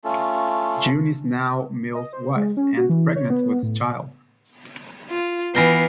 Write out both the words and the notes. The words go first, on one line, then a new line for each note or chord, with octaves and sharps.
June is now Mill's wife and pregnant with his child.
A3 C#4 F4 A4
D#5
C5
G#3
C#4
F#4
E3
C#5
B3
A2
F4
E3 B3 A#4 G5 C7